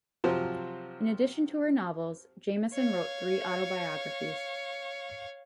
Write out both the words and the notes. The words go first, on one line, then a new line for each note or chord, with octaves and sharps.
In addition to her novels, Jameson wrote three autobiographies.
C3 F3 F#3 F4 C5
C#5 F5